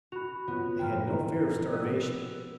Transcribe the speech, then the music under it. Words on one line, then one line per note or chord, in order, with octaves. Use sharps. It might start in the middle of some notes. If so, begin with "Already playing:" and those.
They had no fear of starvation.
F#4 B5 F7
F#3 B3 F4
F3 E4 G5 A#5 F6
B3 E6